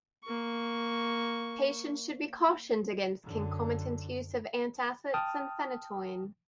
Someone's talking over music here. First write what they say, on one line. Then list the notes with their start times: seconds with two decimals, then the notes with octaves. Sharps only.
Patients should be cautioned against concomitant use of antacids and phenytoin.
0.24 A#3 C#6
3.24 F#2 D3
5.14 G5 A5 D#6 F6